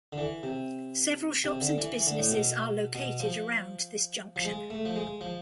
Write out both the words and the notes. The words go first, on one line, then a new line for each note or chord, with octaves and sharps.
Several shops and businesses are located around this junction.
D3
E3
C3
C3
D3
E3
E3
D3
A2
B2
B2
F3
F3
G#3
A3
F3
G#3
F3